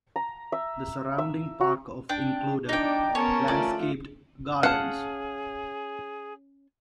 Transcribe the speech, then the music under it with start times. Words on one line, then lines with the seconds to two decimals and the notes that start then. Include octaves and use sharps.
The surrounding park of included landscaped gardens.
0.16 A#5
0.52 E5
1.18 E5
1.61 F#4
2.09 D4 G5
2.69 D4 D#4 D5 G5
3.15 B3 C#4 A#4 C#5 A5
3.48 A3 F4 D5
4.63 C#4 G#4 F5 F#5 A5